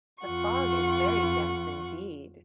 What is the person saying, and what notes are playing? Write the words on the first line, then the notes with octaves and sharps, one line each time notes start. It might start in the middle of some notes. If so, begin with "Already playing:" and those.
The fog is very dense indeed!
F2 F4 F#5 C#6